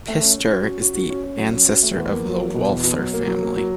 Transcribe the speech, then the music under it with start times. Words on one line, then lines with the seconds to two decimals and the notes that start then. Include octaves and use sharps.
Pistor is the ancestor of the Walther family.
0.08 A3
0.23 C#4
0.38 C#4
0.52 F#4
0.66 C#4
0.81 F#4
0.95 F#4
1.10 C#4
1.24 C#4
1.38 F#3
1.53 C#4
1.68 F#4
1.83 A3
1.97 E2
2.12 A#3
2.25 F#3
2.40 A#3
2.54 B2
2.69 E2
2.84 B2
2.98 F#3
3.13 A#3
3.28 F#3
3.42 A#3
3.57 F#3